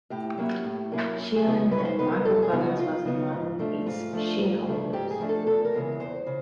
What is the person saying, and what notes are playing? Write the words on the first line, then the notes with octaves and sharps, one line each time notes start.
Sheehan and Michael Collins was among its shareholders.
A2 G4
F#3 A#3 C#4 E4
A2
F#3 A#3 C#4 E4
F#2
G#4
C#3 F#3 B3 D#4
G#4
F#2 B4
C#5
C5
C#3 F#3 B3 D#4 B4
A#4
F#2 A4
G#4
C#3 F#3 B3 D#4
F#4
F#2 F4
C#3 F#3 B3 D#4
G#2
F3 A3 D4
G#2 F4
F3 A3 D4
G#2
F3 A3 D4
G#2 G4
G#4
F3 A3 D4
A4
E2 A4
A#4
C#3 E3 G#3 B3
E2 C5
C#3